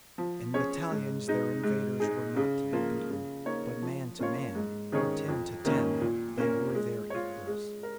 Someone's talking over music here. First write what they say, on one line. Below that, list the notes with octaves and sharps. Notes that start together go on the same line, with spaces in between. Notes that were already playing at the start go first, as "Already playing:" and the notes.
In battalions their invaders were not to be beaten, but man to man, or ten to ten, they were their equals.
F3
C#4 G#4 C#5
G#2
G#3 D#4
G#2
G#3 D#4 G#4
C#3
F3 A#3 F4
C#3
A#3 D#4 C#5
F3
A#3 C#4 F4 C#5
G#2
D#3 C#4 G#4 C#5
F2
D#3 A#3 C#4
A#2
A#3 C#4 A#4
G#3
F4 C#5
G#3
A#4